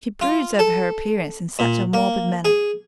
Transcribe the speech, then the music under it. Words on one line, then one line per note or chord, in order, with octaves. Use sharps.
She broods over her appearance in such a morbid manner.
F4
A4
A#2
A#3
G#4